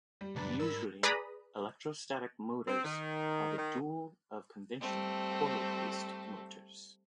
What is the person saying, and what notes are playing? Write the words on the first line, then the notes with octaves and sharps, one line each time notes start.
Usually, electrostatic motors are the dual of conventional coil-based motors.
G3
C#2 F#2 G3 D4 B4 A#5 A6
G#2 D#4 A#4 B5 E6
G#4 B4 D5 A#5 B5 D#6
C4
D#3
D#3
G3 A3 C4